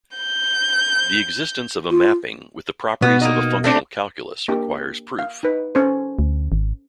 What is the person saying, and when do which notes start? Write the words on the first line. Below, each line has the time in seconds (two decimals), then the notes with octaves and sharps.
The existence of a mapping with the properties of a functional calculus requires proof.
0.16 G6
1.90 F4
3.02 B2 B3
3.21 A#3 D#4
3.64 A3 C4 D4
4.48 A#3 D4 G4
5.19 F5
5.43 D#4 B4
5.75 C#4 A4 C5
6.19 D2
6.52 G#1